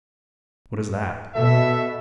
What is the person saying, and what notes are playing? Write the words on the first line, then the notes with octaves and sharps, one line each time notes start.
"What is that?"
B2 A4 E5